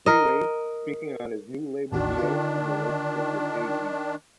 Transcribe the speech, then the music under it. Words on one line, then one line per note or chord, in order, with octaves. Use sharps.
Freeway, speaking on his new label deal and relationship with Jay-Z.
A#4 D#5
A1 D#2 D#3 D4 F#4
D3 F4